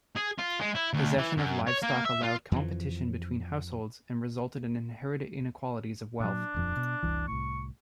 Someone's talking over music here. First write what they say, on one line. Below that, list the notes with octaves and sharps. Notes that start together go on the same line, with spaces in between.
Possession of livestock allowed competition between households and resulted in inherited inequalities of wealth.
G#4
F4
G#3
E4
D2
E3
F#2
C#5
A#3
E5
F4
F2 E3 F3
A#2 F#3 D4
D#1 F2 F3
B2
F1 C2 E3
C2 A2 C#6